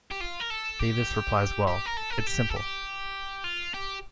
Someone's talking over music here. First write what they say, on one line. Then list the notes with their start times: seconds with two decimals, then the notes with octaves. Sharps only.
Davis replies Well, its simple.
0.11 G4
0.20 F4
0.40 A#4
0.50 A4
0.79 G4
1.67 G4
1.86 A#4
1.97 A4
2.10 A#4
2.18 A4
2.27 G4
2.49 A4
2.56 G4
3.44 F4
3.74 G4